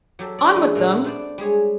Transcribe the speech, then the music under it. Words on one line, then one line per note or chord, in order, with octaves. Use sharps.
On with them!
F#3 G4 A4
D4 D5
E3 G#3
A#2 A3 A#4
B3 C5 D5
G3 G#3 G#4 C#5